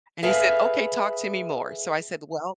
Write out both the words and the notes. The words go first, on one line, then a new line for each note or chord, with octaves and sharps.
and he said, "Okay, talk to me more," so I said, "Well,"
G#4 A4 B4 E5 F5